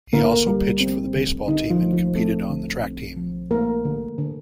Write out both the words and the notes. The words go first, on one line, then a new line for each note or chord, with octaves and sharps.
He also pitched for the baseball team and competed on the track team.
D3 A#3 A#4
G3
C4
D3
D3 D#4
F3 F4
A3
F3 F4
A3 C4 A4
D3
C4
F3
A3 A#3 A#4
D3
D3